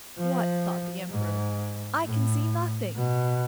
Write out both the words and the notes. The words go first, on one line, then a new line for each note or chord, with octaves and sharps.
'What!' thought the Emperor, 'I can see nothing!
F3
G#2
A2
B2